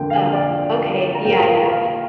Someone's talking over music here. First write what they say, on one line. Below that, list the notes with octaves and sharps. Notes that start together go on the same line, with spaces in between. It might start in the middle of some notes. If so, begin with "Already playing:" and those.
Oh, okay, yeah, yeah,
Already playing: F2 D3 A#3 G5
F5
D5
A#5
A#2 A#3 G5
F5
F5